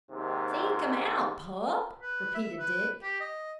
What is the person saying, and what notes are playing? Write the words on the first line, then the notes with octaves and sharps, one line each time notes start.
"Seek him out, pup!" repeated Dick.
D#2 G#2 C3
B4
E5
B4
G4
D#5